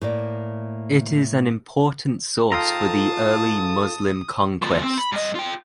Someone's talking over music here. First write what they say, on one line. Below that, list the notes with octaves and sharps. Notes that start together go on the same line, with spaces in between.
It is an important source for the early Muslim conquests.
A2 A#3 D5
G#2 F4 A4 F5 G5 A5 A#5 D#6
D2 F3
C4
B5
G2 D#5
F4 G5